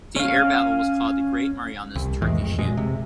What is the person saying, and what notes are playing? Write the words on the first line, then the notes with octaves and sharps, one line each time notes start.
The air battle was called the "Great Marianas Turkey Shoot".
C#4 F5
C2
F2 A2 E3 G#3
F2
F#2 A#2 G#3
C3